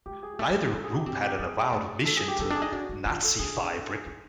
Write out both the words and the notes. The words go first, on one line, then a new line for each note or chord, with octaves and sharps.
Neither group had an avowed mission to Nazify Britain.
G#3 G4
G#4
G4
A3 G#4
A3
G#3
D4 A4
G#4
F#4
G4
C4 G4
G4
B3 G#4
A3
A4
G#4
G4
B3 A4
D4
G#4
D#4
D4 F#4
D4
C#4 F4
A4
D4 G#4
A4
G#4
D#4